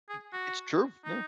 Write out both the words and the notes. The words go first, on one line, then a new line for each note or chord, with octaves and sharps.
I It's true, yeah.
G#4
F#4
D#4